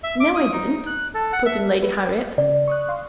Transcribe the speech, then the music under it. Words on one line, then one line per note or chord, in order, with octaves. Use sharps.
"No, I didn't," put in Lady Harriet.
E5
D6
D#6
D#4
F#6
A4
F#5
E5
B4
C#3 D5
C#6 D#6 F#6
F5 C6